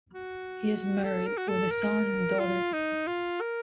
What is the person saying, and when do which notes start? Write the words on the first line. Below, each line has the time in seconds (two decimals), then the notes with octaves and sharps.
He is married, with a son and a daughter.
0.14 F#4
1.04 A4
1.27 A#4
1.38 F#4
1.48 A4
1.71 A#4
2.39 F4
2.73 D#4
3.07 F4
3.41 A#4